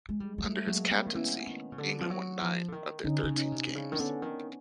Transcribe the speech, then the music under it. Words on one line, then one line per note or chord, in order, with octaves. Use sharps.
Under his captaincy England won nine of their thirteen games.
G#3
G3 G#3
F#3
G3 A3
F#3 G#3 A#3
G3 A#3 C4
D#3
E3 B3 C#4
D#3
C#3
D3
F3
F#3
F3
D3
D#3
D3 C#4 D#4
D3
C#3
C#4 D#4
C3
C4 D4
C#3
D#3 D4
D3 B3 C#4
D#3